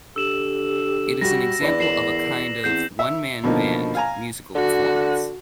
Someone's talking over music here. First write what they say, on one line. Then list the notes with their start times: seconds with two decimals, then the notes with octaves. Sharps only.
It is an example of a kind of one-man-band musical performance.
0.16 D3 G4 E6 E7 F#7
1.21 G3 F#4 A#6
1.61 E2 D4 B4 D5
1.80 A#4 C7 E7 F#7
2.64 E2 C4 G6 C7 E7
2.99 E5
3.43 B2 D3 F3 A#3 D#4
3.95 F5 G#5 A#5
4.55 D3 F#4